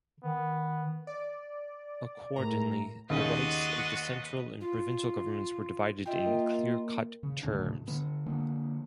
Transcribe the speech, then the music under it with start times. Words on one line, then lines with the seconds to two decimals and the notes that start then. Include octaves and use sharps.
Accordingly, the Rights of the Central and Provincial Governments were divided in clear-cut terms.
0.24 D#3 B3
1.07 D5
2.36 A2 G#3 E4 A#4 A#5
3.10 D#2 C#3 D4 F4 F#4 B4 D#5
4.61 F4
6.06 F4 G4 D#5 E5
6.26 A#3 A#4
7.23 C#3
7.43 D2 A2 C#3 D4
7.88 D3 B3
8.26 D3 F3 A#3 D4